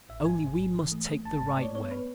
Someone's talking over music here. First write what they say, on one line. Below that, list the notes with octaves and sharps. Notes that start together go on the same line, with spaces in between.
Only we must take the right way.
A1 E5
G#2 G#5
A1
G#2
E3
A3
A3
G#1 A5
G#2 A5
D5
A3
C#5
B3 C#5
B3 B4